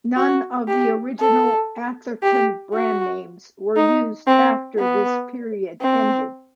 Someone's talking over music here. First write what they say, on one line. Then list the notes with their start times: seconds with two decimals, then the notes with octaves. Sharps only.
None of the original Atherton brand names were used after this period ended.
0.16 F#4
0.68 G4
1.20 A4
2.23 G4
2.74 F#4
3.76 D#4
4.27 C4
4.79 B3
5.82 C4